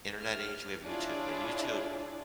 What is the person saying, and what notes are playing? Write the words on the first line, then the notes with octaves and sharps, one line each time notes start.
internet age, we have YouTube, and YouTube,
F6
D4 E4 F4 G#4 C#5 D5